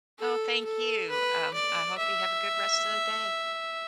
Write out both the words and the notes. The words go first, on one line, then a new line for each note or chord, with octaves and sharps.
Oh, thank you, um, I hope you have a good rest of the day.
A4
A4
B4
D5
E5